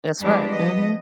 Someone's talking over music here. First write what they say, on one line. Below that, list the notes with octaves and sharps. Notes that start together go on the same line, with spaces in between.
That's right. Mhm.
F3 G3 G#3 B3 D4 E4
F3 B3 D#5